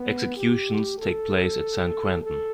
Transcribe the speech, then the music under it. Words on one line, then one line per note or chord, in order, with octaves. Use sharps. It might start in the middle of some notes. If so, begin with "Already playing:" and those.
Executions take place at San Quentin.
Already playing: B3
G4
A4
A4